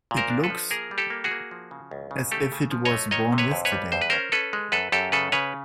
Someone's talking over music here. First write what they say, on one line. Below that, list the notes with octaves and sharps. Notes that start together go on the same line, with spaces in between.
It looks as if it was born yesterday.
A#2
A#4 C5
D4
A4 B4
F3
A#3 G#4 A#4
G3
G4 A4
A#3
F#4 G#4
A#3
F3
C#3
C#2
C#3
A3 G4 A4
C#3
F3
C#5 D#5
A3
D#3 C#5 D#5
C3
B4 C#5
F2
B4 C#5
G3
E2 C5
B4
C#4 A#4 C5
C#4 A4 B4
G#3
F#2 A4 B4
F#2 G4 A4
C#3 A4 B4
C#3 B4 C#5